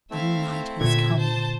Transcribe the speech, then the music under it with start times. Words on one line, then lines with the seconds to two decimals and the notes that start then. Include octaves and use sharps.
The night has come!
0.11 A3 C4 E4 E5 F5
0.81 A#2 D3 E5 G#6
1.17 C5 A5